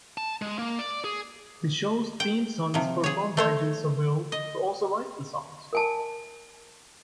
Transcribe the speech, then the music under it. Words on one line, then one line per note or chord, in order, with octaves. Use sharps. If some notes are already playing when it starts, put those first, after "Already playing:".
The show's theme song is performed by Jill Sobule, who also writes the songs.
A5
G#3
A#3
D5
G#4
G5
C3 F3
G#4 C#5
A3 C5 C#5
D#5
A#4 G#5 A5